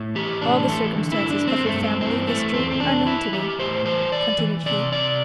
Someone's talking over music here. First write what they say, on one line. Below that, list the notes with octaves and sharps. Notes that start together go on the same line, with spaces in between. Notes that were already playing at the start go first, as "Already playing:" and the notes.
"All the circumstances of your family history are known to me," continued he.
Already playing: A2
E3 G4
A2 D4
E3 A3
D3
E4
G2
D4
G2 C4
A3
G2
C4
E3 C4
E3 A3
E2 C4
C4
E2 D4
E3 E4
E3 G4
A2 C5
E3 C5
E3 D5
E3
C3 D5
C3 D5